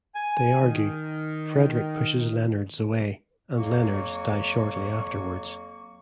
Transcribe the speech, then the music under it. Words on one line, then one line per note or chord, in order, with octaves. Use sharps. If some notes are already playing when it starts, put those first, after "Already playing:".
They argue; Frederick pushes Leonards away, and Leonards dies shortly afterwards.
G#5
D#3
F2 F#3 A#3 C#6